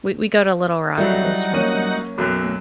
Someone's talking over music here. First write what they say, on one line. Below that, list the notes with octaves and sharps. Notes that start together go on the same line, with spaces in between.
We we go to Little Rock at least once a month, so
F#3 G3 A3 D#4 E4 F#4 F#5
A#3 C#4 D#7
B1 F#2 F#3